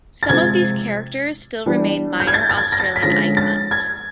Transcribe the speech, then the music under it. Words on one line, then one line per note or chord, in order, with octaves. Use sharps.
Some of these characters still remain minor Australian icons.
A6
C3 F3 G#3 C4 G#6
E3 G3 B3 D4
G6
G#6
A6
A6
G#6
A#6
A6
B6
D3 F3 G#3 C#4 A#6
A6
G#6